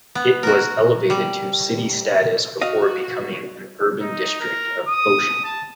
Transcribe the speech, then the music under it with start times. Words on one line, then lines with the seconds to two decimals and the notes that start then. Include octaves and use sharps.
It was elevated to city status before becoming an urban district of Foshan.
0.15 B3
0.43 F#4 A#4
1.10 G3
2.61 F#4 D#5 F5
4.01 D#4
4.41 A#4
4.88 D#6
5.44 A5